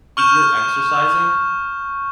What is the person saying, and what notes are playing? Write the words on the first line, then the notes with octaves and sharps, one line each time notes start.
if you're exercising,
C#6 F6 G6 E7